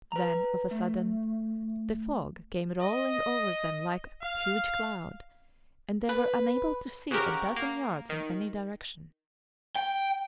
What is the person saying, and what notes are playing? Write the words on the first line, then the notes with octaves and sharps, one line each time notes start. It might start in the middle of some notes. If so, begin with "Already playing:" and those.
Then, of a sudden, the fog came rolling over them like a huge cloud, and they were unable to see a dozen yards in any direction.
B4 A#5
A3
D#5
F5
B4
C#3 F#4 G4 A#4
A#3
D#3
G5